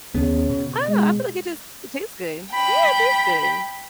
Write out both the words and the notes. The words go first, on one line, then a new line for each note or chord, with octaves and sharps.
I don't know, I feel like it just it tastes good. Yeah, it tastes good.
D#2 C#3 B3
B2
G#3
G5 B5